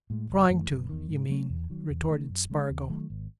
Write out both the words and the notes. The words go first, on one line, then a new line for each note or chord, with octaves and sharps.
"Trying to, you mean," retorted Spargo.
A2 G#3
F#1
F#2 E3 A3
F#1
E2 D#3
G#2
F#3 A3 C#4
E2
D#3 F#3
E2
D#3 A3
F#2
C#3 G#3 C#4
D#2
D#3 F#3 A3
G#1